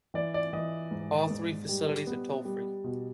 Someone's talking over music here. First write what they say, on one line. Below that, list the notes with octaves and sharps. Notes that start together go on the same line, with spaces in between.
All three facilities are toll-free.
E3 D5
D5
E3 D#5
G#2
G#2
G3
B3
G3
B2